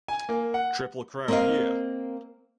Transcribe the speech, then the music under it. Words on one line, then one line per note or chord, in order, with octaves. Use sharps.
Triple Crown year.
G#5
A#3
F#5
A#3 C4 A#4 C#5 D#5 F5